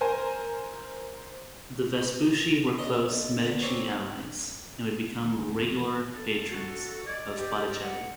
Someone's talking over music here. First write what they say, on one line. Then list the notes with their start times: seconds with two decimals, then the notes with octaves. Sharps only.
The Vespucci were close Medici allies, and would become regular patrons of Botticelli.
0.01 A#4 C5 G#5
2.78 C#3 D4 D#5
3.09 B1
3.42 D3 B4
3.63 C4 F#4 C#5 D5 G#5 A#5
5.23 D#3
5.35 F#1
5.49 C4
5.63 F3
5.79 E3
6.14 A4
6.50 F#4
7.06 D5 D#5 G#6
7.36 G4
7.81 F#5